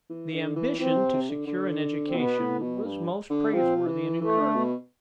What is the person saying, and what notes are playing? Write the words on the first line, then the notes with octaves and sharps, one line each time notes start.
The ambition to secure an education was most praiseworthy and encouraging.
E3
D3
E3
E3 C4
C3
C3
D3
D3
C4
B2 B3
A2
B2
G2
D3
F3 C4
E3
E3 A3
D3
B2